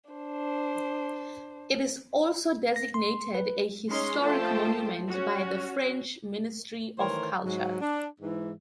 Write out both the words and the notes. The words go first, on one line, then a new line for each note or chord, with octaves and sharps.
It is also designated a historic monument by the French Ministry of Culture.
D4 C5
A#6
C6
B4
G#3 C#4 D#4 C6
F3 A3 C5 G5 A5
C#4 F#4
D#3 E3 A3 A#4 C5 C#5
G#2 F#3
D4
G#2 E3